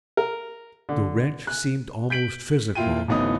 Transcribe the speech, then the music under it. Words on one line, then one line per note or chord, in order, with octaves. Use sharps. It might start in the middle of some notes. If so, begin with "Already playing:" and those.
The wrench seemed almost physical.
A#4
D3
F#6
G6 B6 D7 F#7
A#2 E4 F4 G5 D#7
D1 A1 B3 D#4 D#6